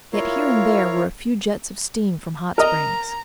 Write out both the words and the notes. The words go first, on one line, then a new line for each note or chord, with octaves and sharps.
Yet here and there were a few jets of steam from hot springs.
E4 F4 A#4 C#5 F5
A#4 D#5 A#5